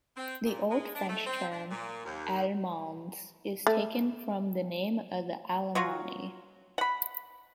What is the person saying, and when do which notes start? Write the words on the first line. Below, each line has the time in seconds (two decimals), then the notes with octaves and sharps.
The Old French term "alemans" is taken from the name of the Alamanni.
0.17 C4
0.45 A#2
0.70 G#3
0.95 D4
1.09 A3
1.27 C4
1.51 D4
1.70 A#2
2.05 D#2
3.67 A3
5.75 F#3 F4 F#4
6.78 F#5 B5